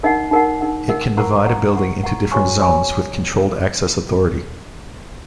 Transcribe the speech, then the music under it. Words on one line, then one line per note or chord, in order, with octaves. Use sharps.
It can divide a building into different zones with controlled access authority.
D#4 A#4 D#5 F#5
D#4 A#4 D#5 F#5
D#4 A#4 D#5 F#5
D#4 A#4 D#5 F#5
A#4 F#5 A#5 C#6
A#4 F#5 A#5 C#6
A#4 F#5 A#5 C#6
A#4 F#5 A#5 C#6
F#4 C#5 G#5 C#6
F#4 C#5 G#5 C#6